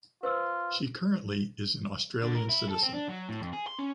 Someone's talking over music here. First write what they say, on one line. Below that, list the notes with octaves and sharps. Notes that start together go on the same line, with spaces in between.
She currently is an Australian citizen.
F4 B4 C5 E6
D3
A#4
E4
A4
C4
D4
F#3
A2
F2
G#4
C6
C#4